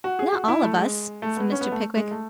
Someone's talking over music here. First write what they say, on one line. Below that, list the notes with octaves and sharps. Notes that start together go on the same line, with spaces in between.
'Not all of us,' said Mr. Pickwick.
F#4
G#4
F#4
E4
A3
G#3
A3
B3
C#4
B3
A3
G#3
A3